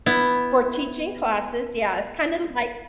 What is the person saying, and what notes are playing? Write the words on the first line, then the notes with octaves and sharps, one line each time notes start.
for teaching classes, yeah. It's kinda like
B3 E4